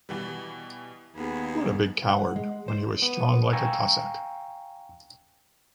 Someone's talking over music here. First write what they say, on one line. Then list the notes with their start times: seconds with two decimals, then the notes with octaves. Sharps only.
What a big coward, when he was strong like a Cossack!
0.09 B2 E3 G3
1.16 D#2 B3 G#4
2.09 F#5
2.36 G#3
2.68 C5
3.02 B3
3.53 F5 G5 G#5 A#5 C#6 E6